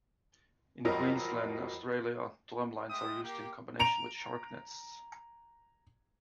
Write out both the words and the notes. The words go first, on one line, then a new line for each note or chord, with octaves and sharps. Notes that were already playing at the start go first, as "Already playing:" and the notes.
In Queensland, Australia, drum lines are used in combination with shark nets.
A1 F2 F#3 G3 A#4 D#5
G#3 E5 G5 D#6
A#3 G4
A#5 D7 F7